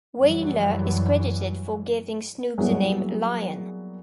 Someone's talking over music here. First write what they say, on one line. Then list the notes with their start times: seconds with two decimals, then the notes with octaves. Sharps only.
Wailer is credited for giving Snoop the name "Lion".
0.18 F#2 E3 F#3 G3
2.58 F#3 G3 A#3 B3 E4 G#4